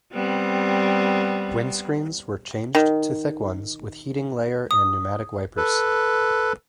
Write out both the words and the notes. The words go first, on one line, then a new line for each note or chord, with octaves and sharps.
Windscreens were changed to thick ones with heating layer and pneumatic wipers.
G3 B3 C4
D#3
D#6
A4 B4